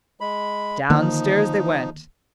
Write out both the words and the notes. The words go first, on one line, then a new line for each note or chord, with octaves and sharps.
Downstairs they went.
G#3 B5
D3 D#3 F3 A#3 D#4